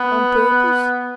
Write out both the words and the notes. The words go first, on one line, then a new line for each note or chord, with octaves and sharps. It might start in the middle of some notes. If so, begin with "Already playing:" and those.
On purpose.
Already playing: B3